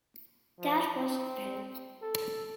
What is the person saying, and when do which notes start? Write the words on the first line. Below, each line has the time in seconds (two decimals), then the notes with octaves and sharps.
That Was Then...
0.61 F3
1.00 C4
2.02 A4